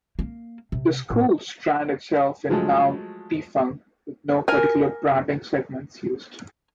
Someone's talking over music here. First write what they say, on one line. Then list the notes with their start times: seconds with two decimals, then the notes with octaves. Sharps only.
The schools strand itself is now defunct, with no particular branding segment used.
0.19 A#3
0.72 C3
1.10 A2
2.50 F3 F#3 G#3 A3
4.48 A#4 G#5